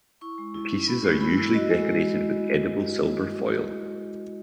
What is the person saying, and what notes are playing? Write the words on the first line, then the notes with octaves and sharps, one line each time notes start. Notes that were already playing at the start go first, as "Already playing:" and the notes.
The pieces are usually decorated with edible silver foil.
E4 C#6
G#3
E4
C#4
E4 B5
G#3
E4 B5
E4
F#4 D#5
G#3
G#3
G#3